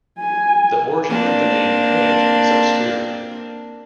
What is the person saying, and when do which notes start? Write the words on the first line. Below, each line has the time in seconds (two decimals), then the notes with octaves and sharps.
The origin of the name "Paint" is obscure.
0.19 G#5
1.09 A#3 C4 D4